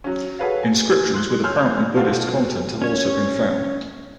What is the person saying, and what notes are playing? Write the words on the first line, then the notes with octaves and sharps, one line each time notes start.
Inscriptions with apparently Buddhist content have also been found.
F#3 C#4
F#4 G#4 A4 B4 C#5 F5
G#5
C6 F#6 G7
C#5 G#5 C6 E6 F6 G6
B2 C4 F4 F#4 A4
C#4 C#5